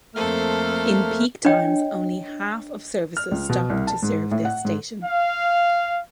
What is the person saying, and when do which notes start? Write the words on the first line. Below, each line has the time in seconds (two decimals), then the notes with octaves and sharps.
In peak times only half of services stop to serve this station.
0.15 F2 A3 A#3 A4 C5 F6
1.45 D4 C#5 D#5 G5
3.17 F6
3.32 C#2
3.49 B2
3.70 C2
3.87 A5
4.02 G#2
4.31 A2
4.45 F#5
4.65 G#2
5.04 F5